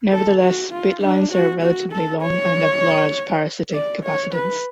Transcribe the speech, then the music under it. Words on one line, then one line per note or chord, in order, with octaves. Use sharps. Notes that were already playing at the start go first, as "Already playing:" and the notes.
Nevertheless, bit lines are relatively long and have large parasitic capacitance.
A4
F#4
F4
D4
F#4
F#4
A4
C#5
D5
C#5
B4